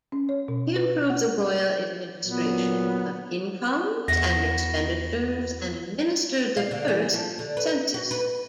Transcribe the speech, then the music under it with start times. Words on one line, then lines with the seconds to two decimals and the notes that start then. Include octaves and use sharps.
He improved the royal administration, of incomes and expenditures, and administered the first census.
0.12 C#4
0.29 C#5
0.48 B2
0.76 B4
1.10 F#5
2.25 A#2 F#3 B3
4.08 E2 B3 E4 F#4 A#6
6.57 F5
6.71 D3
6.88 E3
7.13 F3
7.39 D3
7.57 B4
7.94 F#4
8.11 B4